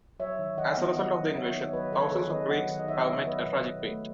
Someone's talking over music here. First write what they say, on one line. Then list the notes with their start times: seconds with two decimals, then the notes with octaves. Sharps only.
As a result of the invasion, thousands of Greeks have met a tragic fate.
0.20 F#3 C#5 E5
0.39 D#3
0.58 D#3 D#5 F#5
0.77 B3
0.96 F#3 D#5 F#5
1.16 D#3
1.35 D#3 C#5 E5
1.54 B3
1.68 C#5
1.73 F#3 B4 D#5
1.92 D#3 A4 C#5
2.12 D#3 G#4 B4
2.31 B3 B4 D#5
2.50 F#3 D#5 F#5
2.69 D#3
2.79 D#5
2.88 D#3 C#5 E5
3.07 B3
3.27 F#3 B4 D#5
3.46 B2
3.66 B2
3.84 A3